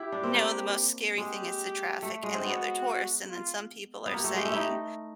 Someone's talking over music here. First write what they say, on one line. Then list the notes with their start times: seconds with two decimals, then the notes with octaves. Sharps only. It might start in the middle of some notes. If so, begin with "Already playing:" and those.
"No, the most scary thing is the traffic and the other tourists," and then some people are saying,
Already playing: E4 G4
0.12 D4
0.23 C4
0.34 A#3
1.18 G#3 G4
2.02 A3
2.23 G#3
2.34 C4
2.45 B3 F#4
3.29 F4
4.06 B3
4.13 A#3 G4
4.24 A3
4.34 G#3
4.45 A3
4.52 D#4 E4